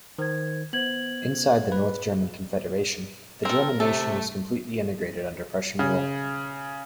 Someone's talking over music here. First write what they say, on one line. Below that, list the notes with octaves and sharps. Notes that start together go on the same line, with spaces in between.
Inside the North German Confederation, the German nation was completely integrated under Prussian rule.
D#3 C5 G#6
B3 C5 G#6 F#7
B4
C4 A4 A#4
C3 A3 A4
C#3